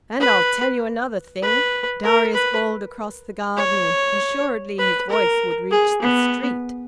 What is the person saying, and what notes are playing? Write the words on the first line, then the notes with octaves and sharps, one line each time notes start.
"And I'll tell you another thing," Darius bawled across the garden-- assuredly his voice would reach the street.
B4
B4
A#4
B4
C#5
B4
A#4
G#4
B3